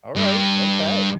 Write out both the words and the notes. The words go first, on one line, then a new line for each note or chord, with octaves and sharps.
Alright, okay.
G2